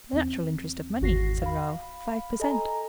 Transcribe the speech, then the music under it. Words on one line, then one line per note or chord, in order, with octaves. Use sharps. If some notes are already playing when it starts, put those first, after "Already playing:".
"The natural interest of money," said Raoul,--"five per cent."
E2 C4
G#1 E2 F#4 A#6 C7
F5 B5
A4 D#5 G#5 A#5